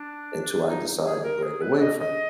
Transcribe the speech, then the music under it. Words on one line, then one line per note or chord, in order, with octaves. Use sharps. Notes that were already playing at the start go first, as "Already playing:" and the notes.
until I decide to break away from it.
Already playing: D4
D#4
G#4
A#4
G#4
B4
D#5
D#5